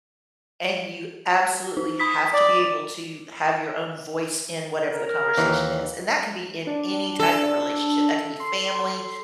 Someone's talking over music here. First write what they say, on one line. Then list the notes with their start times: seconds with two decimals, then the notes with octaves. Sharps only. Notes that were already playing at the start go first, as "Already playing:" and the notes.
and you absolutely have to be able to have your own voice in whatever the conversation is, and that can be in any type of relationship, that can be family,
1.77 D#4
1.99 B5 D#6 B6
2.33 D5
4.93 A#4
5.37 D#2 E3
6.67 D4
7.19 A4
8.40 C6